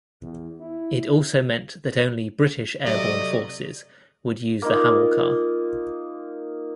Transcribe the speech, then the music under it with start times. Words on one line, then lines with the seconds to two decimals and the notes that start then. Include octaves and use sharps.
It also meant that only British airborne forces would use the Hamilcar.
0.22 E2
0.60 E4
2.85 C3 F#3 A3 D5 D#5
4.62 A#3 D#4 F4